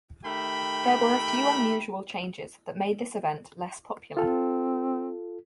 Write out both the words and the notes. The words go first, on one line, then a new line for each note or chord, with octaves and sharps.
There were a few unusual changes that made this event less popular.
D#3 A3 G4 E5 G5 B5
C4 F4 A4